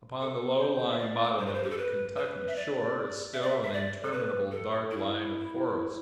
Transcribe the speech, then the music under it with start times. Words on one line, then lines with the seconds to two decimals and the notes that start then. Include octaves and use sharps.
Upon the low-lying bottom of the Kentucky shore, is still an interminable dark line of forest.
0.21 A4
0.60 C5
0.89 E5
0.99 D5
1.38 C5
1.46 B4
1.54 C5
1.63 G4
1.70 A4
1.78 B4
2.17 B4
2.47 E5
2.56 D5
3.33 E5
3.42 D5
3.50 E5
3.62 E5
3.73 D5
4.03 A4
4.12 B4
4.51 A4
4.91 E4